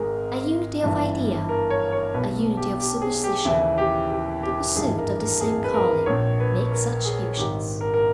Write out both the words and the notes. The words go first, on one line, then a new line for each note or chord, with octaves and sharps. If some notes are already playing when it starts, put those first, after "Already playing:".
A unity of idea, a unity of superstition, the pursuit of the same calling, make such fusions.
Already playing: G#1 G#2 D#3 G#4 A#4
G1 G2 E3
A#4
C#5
C#5
B1 B2 B4
G4
G4
G#4
G4
D#2 C#3 E3 E4
G4
G4
G4
G#1 G2 E3 G#4
A#4
A#4
G#4
B4
A#4
A#1 A#2 C#5
B4
A#4
G#4
G#1 G#2 D#3 G4
A#4
A#4